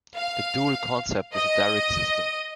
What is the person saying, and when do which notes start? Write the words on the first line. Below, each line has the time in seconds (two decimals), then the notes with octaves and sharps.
The dual concept is a direct system.
0.15 F5
1.33 D#5